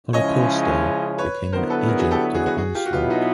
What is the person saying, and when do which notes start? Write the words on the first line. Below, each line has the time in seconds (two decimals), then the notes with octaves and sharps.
Holocausto became an agent of Onslaught.
0.13 C#3 F3 G#3 C#4 E4 C#5 D#5
1.18 B4 C#5
1.52 D3 F#3 B3 E4 A#4 C5
1.70 A4 B4
1.88 G#4 A#4
1.99 F#4 G#4
2.11 G4 A4
2.34 F#4 G#4
2.46 F#4 G#4
2.57 F#4 G#4
2.75 F4 G4
2.86 F#4
2.92 B2 F#3 B3 E4 F4 G4
3.10 D#4 F4